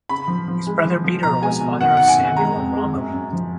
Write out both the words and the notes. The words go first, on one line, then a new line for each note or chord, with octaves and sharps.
His brother Peter was father of Samuel Romilly.
C#3 B5
F3
F3
G#3
F3
F3
B2 A#5
G#3 G#5
B2
F#2 F#5
D#3 F#5
G#5
F#2
G#3 A#5
F2
G#3
F#2
F#2
F3